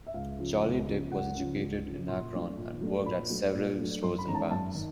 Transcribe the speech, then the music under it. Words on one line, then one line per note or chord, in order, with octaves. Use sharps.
"Charley" Dick was educated in Akron, and worked at several stores and banks.
E5
C#2 F5
C#3 F3
C#2
C#3 F3
C#2 F#5
C#3 F3
C#2
C#3 F3
A#2 C6
F#3 A3 D4
A#2
F#3 A3 D4
A#2 B5
F#3 A3 D4
A#2
F#3 A3 D4
F#2 C6
B5
D#3 G#3 C#4 A#5
A5
F#2 A5
D#3